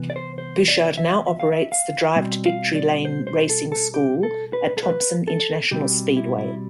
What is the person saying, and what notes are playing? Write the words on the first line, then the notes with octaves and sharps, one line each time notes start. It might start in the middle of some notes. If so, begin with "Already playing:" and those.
Bouchard now operates the Drive to Victory Lane Racing School at Thompson International Speedway.
Already playing: C2 C3 E3 B3
D5
C5
C5
D5
E5
E5
F5
E5
F5
B2 G3 C4
F5
D5
C5
C5
A4
A4
G4
A4
B4
A4
B4
A4
B2 G3 C4 G4
E4
E4